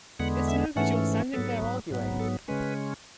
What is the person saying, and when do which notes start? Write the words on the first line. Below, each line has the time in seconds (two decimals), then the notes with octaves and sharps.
It's no good your standing there arguing.
0.19 E2 D3 G#3 B3 F#5
0.48 E5
0.76 G#2 E3 A3 C#4 F#5
1.33 G#2 F#3 B3 A4
1.91 G#2 F#3 B3
2.19 A4
2.48 C#3 G#3 C#4 B4